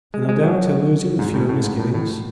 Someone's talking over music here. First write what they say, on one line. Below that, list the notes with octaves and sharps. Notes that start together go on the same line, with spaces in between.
So no doubt he'll lose it with fewer misgivings.
G#3
G#3
F#3
G#2
A2
A2
G#2
A2
A2